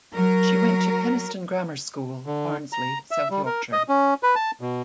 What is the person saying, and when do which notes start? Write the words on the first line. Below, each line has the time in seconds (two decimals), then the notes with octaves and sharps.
She went to Penistone Grammar School, Barnsley, South Yorkshire.
0.12 F#3 A#4
2.26 D3
2.73 A#5
3.11 E5
3.30 G3
3.46 A#4
3.73 D#5
3.89 C#4
4.23 B4
4.35 A5
4.61 B2